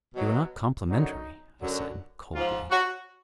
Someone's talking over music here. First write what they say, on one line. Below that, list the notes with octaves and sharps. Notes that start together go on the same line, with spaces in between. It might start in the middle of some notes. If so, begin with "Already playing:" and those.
"You are not complimentary," I said coldly.
B2 F#3
F#2 D3 F#3 D#4
F#2 D3 F#3
G#2 F3 F4
F#4